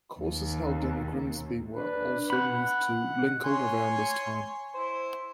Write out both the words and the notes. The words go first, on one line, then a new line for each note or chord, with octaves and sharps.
Courses held in Grimsby were also moved to Lincoln around this time.
D#2
D4 B4
F#5 B5 F#6
C#5 G#5 C6
E4 C5